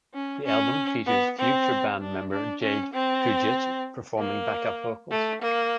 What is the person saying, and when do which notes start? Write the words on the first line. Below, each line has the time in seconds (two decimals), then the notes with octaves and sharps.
The album features future band member Jade Puget performing back-up vocals.
0.14 C#4
0.44 C#4
1.06 B3
1.38 C4
2.00 D4
2.31 D4
2.62 C#4
2.93 C4
4.18 A#3
5.11 A3
5.41 A#3